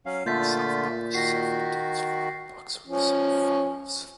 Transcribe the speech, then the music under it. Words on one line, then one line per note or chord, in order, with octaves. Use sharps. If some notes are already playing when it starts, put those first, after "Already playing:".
He himself published several dance photo books with his own photos.
F#3 C#4 F5
A#2 D3 A3 F4 G6 A6 B6
D#3 F#4 A#6 C7
F3 C#4